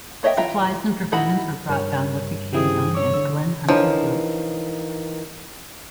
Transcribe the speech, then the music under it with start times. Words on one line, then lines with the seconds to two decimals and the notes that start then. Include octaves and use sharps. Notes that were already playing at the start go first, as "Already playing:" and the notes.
Supplies and provisions were brought down what became known as Glen Huntly Road.
0.23 A#3 C#5 D#5 E5 G5
0.37 E3 F4 E5 G5 A#5
1.12 D#4 E4 F#4 F#5 B5
1.69 G2 A#4 C#5
2.53 D#3 C4 E4 G4 G#4
2.94 C#5 D6 E6
3.14 D3 E6
3.68 E3 F3 D4 D#4 A#4 C#5